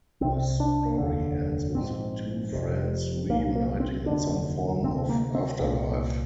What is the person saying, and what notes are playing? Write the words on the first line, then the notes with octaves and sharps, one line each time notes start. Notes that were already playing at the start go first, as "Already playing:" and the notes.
The story ends with the two friends reuniting in some form of afterlife.
C2 C3 C4
D4
F1 D#2 D3
A#1 G#2 C4
F1 F2 C3
C2 A#2 A#3
A#3
C4
F1 D#2 D3 D4
D2 C3 C4
A#3
C4
C2 A#2